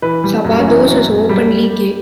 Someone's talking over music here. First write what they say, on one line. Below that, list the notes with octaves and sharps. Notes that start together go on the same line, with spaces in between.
Sabados is openly gay.
E3 B4
G3
F#2
C#4
E3
F#2
F#2
G3